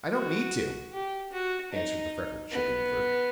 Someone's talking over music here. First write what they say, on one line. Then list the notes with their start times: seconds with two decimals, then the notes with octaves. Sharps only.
"I don't need to," answered the freckled shipping clerk.
0.13 F#4
0.92 G4
1.32 F#4
1.72 D#4
2.51 B3